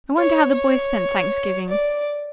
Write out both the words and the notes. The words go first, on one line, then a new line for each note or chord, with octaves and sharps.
I wonder how the boys spent Thanksgiving.
C#5
C#5
D5